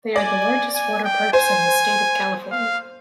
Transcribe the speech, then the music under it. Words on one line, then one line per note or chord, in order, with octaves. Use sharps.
They are the largest water parks in the state of California.
D5 G#5
G#5
G5
C5 G#5
F5